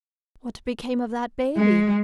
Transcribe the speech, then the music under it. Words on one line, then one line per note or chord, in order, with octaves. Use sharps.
What became of that baby?
G#3